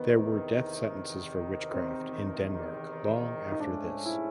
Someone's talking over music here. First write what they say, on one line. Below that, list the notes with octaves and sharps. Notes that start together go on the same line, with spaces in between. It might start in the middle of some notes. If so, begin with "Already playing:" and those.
There were death sentences for witchcraft in Denmark long after this.
Already playing: E2 C3 D#3 B3
C4
D#4
G#2 F3 A3 C#4 D4
E4